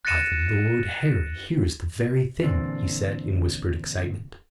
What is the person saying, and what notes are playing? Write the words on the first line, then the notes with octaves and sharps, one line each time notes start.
"By the Lord Harry, here is the very thing," he said, in whispered excitement.
F#6 A6 A#6 C#7 D#7 E7
A#2 D3 E3 C4 D4